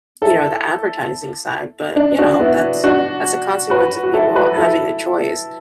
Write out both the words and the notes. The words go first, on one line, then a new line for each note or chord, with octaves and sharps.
you know, the advertising side, but, you know, that's that's a consequence of people having a choice.
E4 A4
D4
D4 F#4
B3 E4
D4 F#4
F#4 B4
F#4
E4 A4
F#4 B4
E4 A4